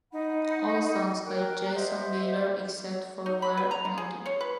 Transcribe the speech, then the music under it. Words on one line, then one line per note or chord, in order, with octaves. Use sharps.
All songs by Jason Bieler except for where noted.
D#4 F#5 B5
A#4 G5 A#5 F#6
C5 D#5 E5 F#5
D#4
B5
B4
A#5
D3
G#4
C#5
B4